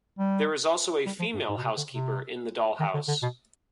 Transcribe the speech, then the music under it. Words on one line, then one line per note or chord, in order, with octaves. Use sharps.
There is also a female housekeeper in the dollhouse.
G3
G3
F3
G2
G#2
B2
C3
D3
C3
D#3
D3
D3
B2